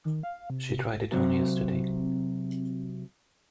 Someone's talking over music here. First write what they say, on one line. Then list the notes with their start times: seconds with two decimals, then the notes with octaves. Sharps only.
She tried it on yesterday.
0.05 D#3
0.23 F5
0.50 C3
1.12 C3 F#3 C4